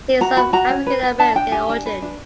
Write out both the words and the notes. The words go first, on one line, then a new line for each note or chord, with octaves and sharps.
He is of African-American origin.
F#4 A#5
F#4 B5
F#4 A#5
C#4
B4
B4
D4 A5
D4 G5
G4 G#5
D4
B4
D4